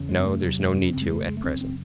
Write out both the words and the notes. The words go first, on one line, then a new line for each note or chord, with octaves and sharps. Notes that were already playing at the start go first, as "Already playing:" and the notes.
"No, there's no need to, at present."
Already playing: E2 C#3
G#3
C4
A3
E2 C3 F#3
G#3
C#4
F#2 C#3 C4
G#3
A3
G#3
A3
F#2 C#3 C4
C4